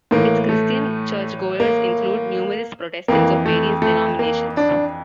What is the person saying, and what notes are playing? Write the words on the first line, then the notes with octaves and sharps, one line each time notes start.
Its Christian churchgoers include numerous Protestants of various denominations.
A2 E3 A#3
A3
A#3
F2 E3 A#3
A3
A3
A#3
D4